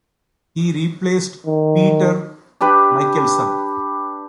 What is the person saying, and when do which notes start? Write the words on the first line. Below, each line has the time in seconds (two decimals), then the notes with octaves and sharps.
He replaced Peeter Michelson.
1.46 D#3
2.61 D4 G4 B4